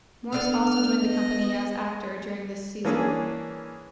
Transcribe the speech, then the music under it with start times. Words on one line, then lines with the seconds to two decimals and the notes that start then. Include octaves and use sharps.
Morse also joined the company as actor during this season.
0.32 B3 D4 A4 F6
0.67 F6
1.04 D#5
2.85 E3 A#3 C#4 D4 G#4